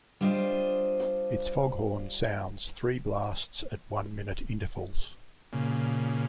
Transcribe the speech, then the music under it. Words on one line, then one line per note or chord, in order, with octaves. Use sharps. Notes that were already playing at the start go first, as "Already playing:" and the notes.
Its foghorn sounds three blasts at one-minute intervals.
G3 D4 F4 C5 D#5
A#2 C#3